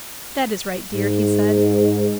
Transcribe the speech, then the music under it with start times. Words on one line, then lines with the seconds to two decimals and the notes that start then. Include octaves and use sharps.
"That is right, dear," he said.
0.92 G#2